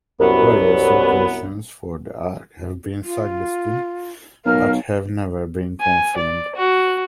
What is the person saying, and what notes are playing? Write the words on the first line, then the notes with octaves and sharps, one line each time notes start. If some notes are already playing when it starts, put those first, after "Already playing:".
Various locations for the ark have been suggested but have never been confirmed.
C2 F#2 F#3 B3
F4
B1 A#4 F5 F6
G#5
D5
F#4